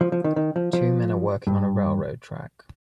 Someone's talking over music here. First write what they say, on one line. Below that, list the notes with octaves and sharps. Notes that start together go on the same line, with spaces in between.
Two men are working on a railroad track.
F3
F3
D#3
D#3
F3
F3
G2